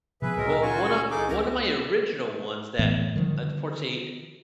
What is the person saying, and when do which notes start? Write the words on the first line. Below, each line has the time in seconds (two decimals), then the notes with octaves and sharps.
Well, one of one of my original ones that, unfortunately,
0.22 C3 F3 B3 G#4 B4 E5
0.37 C#2 A#2 F#3 G#3 A#4
0.62 C#4 F4 F#4 G#5 C#6
1.11 E3 D#4 G#4 A4 D6
1.29 C#2 C#4 G4 A#4
2.79 A2 E3 A3 B3
3.16 D3 D#3 F3 G3